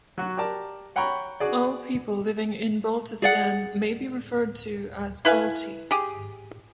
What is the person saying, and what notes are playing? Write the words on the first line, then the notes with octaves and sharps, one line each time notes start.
All people living in Baltistan may be referred to as "Balti".
F#3 F#4
G4 A#4 D5 A5
C#5 F#5 G5 A#5 B5 C#6
F#4 G#4 D5
G#4 D5 F#5
E4 B4 F5 G#5
G4 G#4